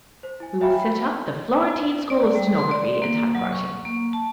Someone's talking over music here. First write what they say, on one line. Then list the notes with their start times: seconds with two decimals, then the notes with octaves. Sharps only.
We will set up the Florentine School of Stenography and Typewriting.
0.23 C5
0.40 E4 G#5
0.61 C#5 E5 F5 G5 G#5 B5
2.10 D5
2.35 G3
2.58 C6
2.71 D5
3.02 A#3
3.35 F#3
3.52 C#6
3.85 A#3
4.13 A5